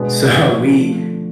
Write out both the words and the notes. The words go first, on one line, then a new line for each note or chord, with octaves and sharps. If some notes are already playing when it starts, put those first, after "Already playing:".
So we
Already playing: B2 G#3 B3 D4
D3 F3 B3
D3 F3 A3 D4 F4